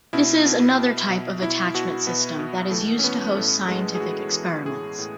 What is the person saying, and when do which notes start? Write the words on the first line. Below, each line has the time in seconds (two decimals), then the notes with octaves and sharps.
This is another type of attachment system that is used to host scientific experiments.
0.13 B2 E4
0.45 B2
0.77 B2
1.10 B2
1.41 B2 E4
1.74 B2 F#4
2.07 B2 B3
2.39 B2
2.71 E3 A3
2.99 C#4
3.03 E3 B3
3.36 A2 A3
3.68 A2 G#3
3.95 G#4
4.00 E3 F#4
4.33 E3
4.65 A2 G#4
4.98 A2